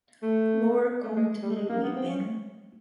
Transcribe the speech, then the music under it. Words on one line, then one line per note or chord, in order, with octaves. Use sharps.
Nor come to me weeping.
A3
A3
G#3
G3
A3
G#3
A#3
B3
C4
C#4